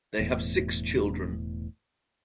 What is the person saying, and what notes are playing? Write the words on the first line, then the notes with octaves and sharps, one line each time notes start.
They have six children.
E1 E2 A2